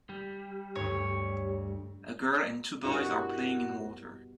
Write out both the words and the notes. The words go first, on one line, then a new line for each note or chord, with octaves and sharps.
A girl and two boys are playing in water.
G3
D2 G2 C#5
G2 B2 E4 F#4 A#4